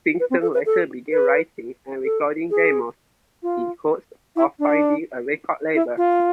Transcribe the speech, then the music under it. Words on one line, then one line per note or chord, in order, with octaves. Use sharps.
Simpson later began writing and recording demos, in hopes of finding a record label.
B4
C4
A4
B4
A4
B4
A4
G#4
F4
E4
D4
E4
F4